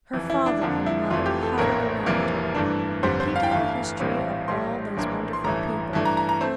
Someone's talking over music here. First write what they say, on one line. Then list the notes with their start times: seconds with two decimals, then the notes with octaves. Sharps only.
Her father and mother hovered around her, repeating the history of all those wonderful people.
0.13 F1 F2 E3
0.30 E4
0.46 D4
0.62 F2 D3 F3 A#3 D4
0.86 E4
1.10 F1 F2 E3 A3 F4
1.26 G4
1.43 A4
1.58 A#1 A2 E3 A#3 A#4
2.06 F1 F2 C3 E3 A#3
2.55 G2 E3 A3 D4
3.03 G1 F2 D3 G3 D4 C5
3.20 C5
3.36 F5
3.43 G5
3.51 G1 G2 E3 A3 F5
4.00 A#1 A2 E3 G3 C4
4.48 A#1 A2 G3 C6
4.97 A#1 A2 E3 A#3 D4
5.33 C6
5.44 A1 G2 E3 A3 A#5
5.93 G2 E3 A3 D4 A5
6.05 A#5
6.17 A#5
6.29 A#5
6.41 A3 C4